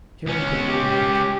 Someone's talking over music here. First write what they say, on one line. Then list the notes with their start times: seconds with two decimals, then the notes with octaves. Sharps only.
Carrie put on her hat.
0.26 C#2 C#4
0.64 G4